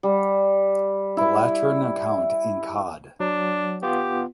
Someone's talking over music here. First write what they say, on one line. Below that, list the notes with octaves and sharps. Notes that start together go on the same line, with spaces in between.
The Lateran account in Cod.
G3
E4
F#3 D4
B3 F4 G4